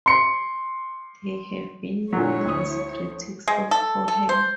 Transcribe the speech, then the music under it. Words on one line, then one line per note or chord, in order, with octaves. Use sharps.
There have been numerous critics of Cohen.
C6 C#7
A#2 D3 F#3 E4 C#5
D2 D#6
G#3
A4
A4
C5